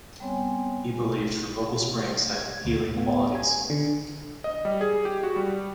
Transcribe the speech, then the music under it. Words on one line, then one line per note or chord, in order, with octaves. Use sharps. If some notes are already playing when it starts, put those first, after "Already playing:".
He believed the local springs had healing qualities.
G3 B3 C4 C#5 G#5
G#6
D2
A2
B3
G#5
D3
D#5
G3
G#4
G4
F#4
G3